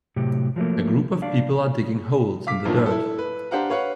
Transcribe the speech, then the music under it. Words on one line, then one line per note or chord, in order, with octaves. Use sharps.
A group of people are digging holes in the dirt.
A2 C3 F#3 G4
F3 F#3 A3 A#3
D4 D5 F5
F5 D6 B6
G1 G2 A#2 D#3 F3
E4 A4
B4
D4 G4 C5 F5 F#5 A#5
B4 C#5 F5 F#5